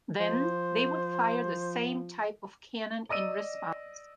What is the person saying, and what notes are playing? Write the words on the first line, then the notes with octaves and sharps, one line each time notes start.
Then they would fire the same type of cannon in response.
F3 C5
D5 D#5 E6 D#7